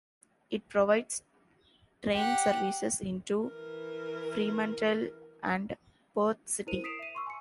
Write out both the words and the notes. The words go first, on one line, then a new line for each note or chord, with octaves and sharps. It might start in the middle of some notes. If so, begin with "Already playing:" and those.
It provides train services into Fremantle and Perth City.
G4 F#5
E3 A#4
E4 A#4 C5 D#7 F7
D#6 B6 C7 D7 E7 F7
E5 D#7
C6 C#6 E6
G#5 C#7